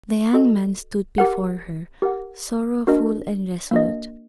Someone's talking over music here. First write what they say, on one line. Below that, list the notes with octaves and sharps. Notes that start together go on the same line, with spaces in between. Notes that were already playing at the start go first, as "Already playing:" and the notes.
The young man stood before her, sorrowful and resolute.
F#4 A4 D#5
G4 A#4 F#5
G4 A#4 F#5
A#3 D4 F#4 A#4 D#5
A#3 D4 F#4 A#4 D#5